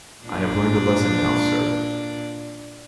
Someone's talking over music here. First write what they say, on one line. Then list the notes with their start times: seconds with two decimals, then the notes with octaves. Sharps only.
I have learned a lesson now, sir.
0.24 A#2 D4